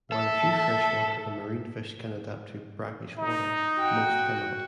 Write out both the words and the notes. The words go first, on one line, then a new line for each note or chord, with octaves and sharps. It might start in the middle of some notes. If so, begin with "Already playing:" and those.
While a few freshwater and marine fish can adapt to brackish water, most cannot.
A4 E5
D#4
F#4 F#5 G5